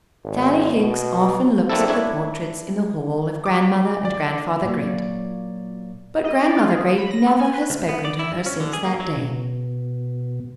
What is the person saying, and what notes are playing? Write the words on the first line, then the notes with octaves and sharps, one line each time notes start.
Sallie Hicks often looks at the portraits in the hall of Grandmother and Grandfather Great, but Grandmother Great never has spoken to her since that day.
G#1
B2
A3 A#3 C4 D4 E4 A4
D4 E4 C#5 E5
D6
D5
A#2 F#3 A#3 C#5 D5
D#5
D5
F4
G#4
D3
B5
A#6
C4
G#5
B4
D2
B3
D5
E4
G2
C#4
D3
G#4
A#3
F#3
B2